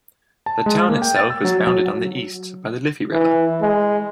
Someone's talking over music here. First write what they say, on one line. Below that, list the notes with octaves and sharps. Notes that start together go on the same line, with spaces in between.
The town itself is bounded on the east by the Liffey River.
A5
G#3
A#3
G5
A6
E6
F#3
F#3
E3
G#3